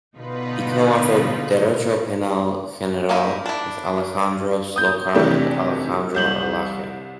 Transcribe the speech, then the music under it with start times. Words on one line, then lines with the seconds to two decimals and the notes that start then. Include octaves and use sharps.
He co-authored "Derecho Penal: General" with Alejandro Slokar and Alejandro Alagia.
0.15 B2 D3 D#4 F4 B4
3.09 A#3 D#4 E4
3.46 D4 E4
4.76 D#6 G6
5.15 C3 D#3 E3 A3 D4 G4
6.14 C2 G6 F#7